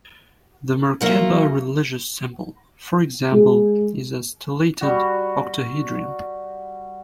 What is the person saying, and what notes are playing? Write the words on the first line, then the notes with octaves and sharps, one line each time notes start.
The Merkaba religious symbol, for example, is a stellated octahedron.
F#3 A3 A#3 F4
G#3
G3 F#4